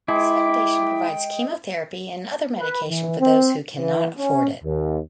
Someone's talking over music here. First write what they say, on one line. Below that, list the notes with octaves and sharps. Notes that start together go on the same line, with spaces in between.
This foundation provides chemotherapy and other medication for those who cannot afford it.
G#3 E4 G5 D6
B4
E3
C4
E3
C#4
D#2